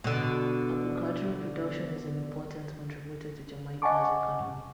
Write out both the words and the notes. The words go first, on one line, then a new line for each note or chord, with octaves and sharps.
Agricultural production is an important contributor to Jamaica's economy.
B2 D3
D#5 F#5 G#5 A5 C#6 D6